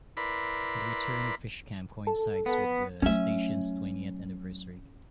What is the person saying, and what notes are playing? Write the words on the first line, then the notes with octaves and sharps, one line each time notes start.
The return of FishCam coincides with the station's twentieth anniversary.
E4 A#4 B4 D5 B5 C6
A4
B3
F#3 A3 C#4 E5